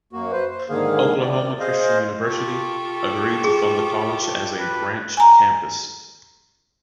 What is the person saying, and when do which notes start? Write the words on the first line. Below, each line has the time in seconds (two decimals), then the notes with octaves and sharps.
Oklahoma Christian University agreed to fund the college as a branch campus.
0.13 F#2 A#3 F#4
0.32 B4 C5
0.50 C5
0.70 G#2 D3 D#3 A#3 G#4 F5
1.19 D5
1.60 G#4 C5 D#5 F5
2.24 F4 G4 A4 C#6
3.44 G#4
4.58 B4
5.17 G#5 A#5